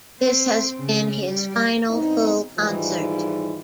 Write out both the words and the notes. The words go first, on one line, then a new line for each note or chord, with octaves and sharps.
This has been his final full concert.
C4
C#3
G3
G2 B3 C4 D#4
G#2 D#3 E3 G3 G#3 F4